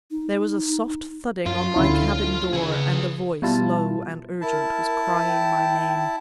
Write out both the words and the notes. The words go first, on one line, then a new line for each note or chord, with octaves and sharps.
There was a soft thudding on my cabin door, and a voice, low and urgent, was crying my name.
D#4
F#2 F4
D2 D3 C#4 E4
C#3 G#4 B4
B2 G3 E4 F4 A5
E4 A#4 A5
G5